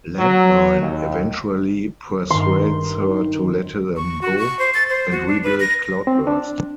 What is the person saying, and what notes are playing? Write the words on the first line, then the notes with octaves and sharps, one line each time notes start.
Landmine eventually persuades her to let them go and rebuild Cloudburst.
F#3
D#2
G2 D#3 C6
C#6
F#4
C#6
C5
A6
C5
F#4
D4
B4
A#6
C4
D4